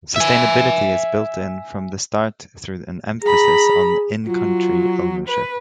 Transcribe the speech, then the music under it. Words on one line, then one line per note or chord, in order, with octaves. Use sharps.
Sustainability is built in from the start through an emphasis on in-country "ownership".
E5 G#5
G#4 A#5 B5
F#3 F4
B4